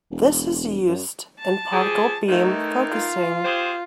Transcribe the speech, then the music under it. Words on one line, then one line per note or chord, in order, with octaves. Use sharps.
This is used in particle beam focusing.
E1
F#2
A5
F3 G4 G#4
D#3 E3 A3 D#4
F4
G4 G#4 C5